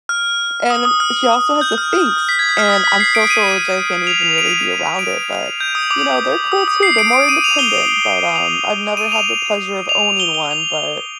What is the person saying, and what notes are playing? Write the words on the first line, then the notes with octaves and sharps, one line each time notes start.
and she also has a Sphynx, and I'm so, so allergic that I can't even really be around it, but, you know, they're cool too, they're more independent. But, um, I've never had the pleasure of owning one, but
F6
D#6
D#6
F6
G6
F6
F6
B6
G#6
G6
F6
D#6
B6
C7
D7
D#7
F7
F7
D7
D7
G6
D#6
D6
D#6
D#6
C7
D7
D7
D#7
F7
G7
F7
D#7
F7
F7
G7
G7
F7